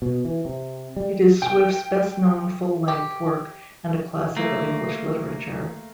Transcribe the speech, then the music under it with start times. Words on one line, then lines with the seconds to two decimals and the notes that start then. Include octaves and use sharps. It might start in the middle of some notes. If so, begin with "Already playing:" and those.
It is Swift's best known full-length work, and a classic of English literature.
0.02 B2
0.25 E3
0.45 C3
0.96 G3
1.42 G5
2.88 G4
4.37 A3 A#3